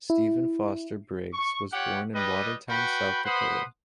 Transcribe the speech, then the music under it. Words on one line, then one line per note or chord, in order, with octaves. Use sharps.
Stephen Foster Briggs was born in Watertown, South Dakota.
E4
C#6
F4 G4 C#5 F#5
G3 B4 D#5
F#4 B4 G5 B5
B4 C5 F#5 B5 C6 D#6